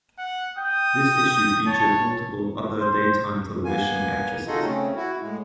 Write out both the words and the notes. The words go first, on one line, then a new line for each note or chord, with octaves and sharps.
This issue featured multiple other daytime television actresses.
F#5
G5 D#6
C#5 A5
C5
A#3 B3 G#5
D#4 F4 F#4 G#4 A4 D#5
C#3 A3 C4 C#4
E4 F#4
A2 G#3